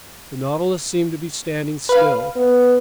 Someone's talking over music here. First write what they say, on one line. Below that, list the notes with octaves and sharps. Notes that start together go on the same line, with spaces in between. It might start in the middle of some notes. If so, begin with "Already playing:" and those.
The Nautilus seemed to be standing still.
B4 F5
B3